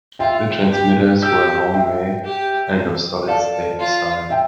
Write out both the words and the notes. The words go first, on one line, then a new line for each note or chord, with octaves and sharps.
The transmitters were home-made and of solid state design.
F4 E5 G5
G4
G4 E6 G6
E5 G5
G4
A4 D5 F5
F4
E5 G5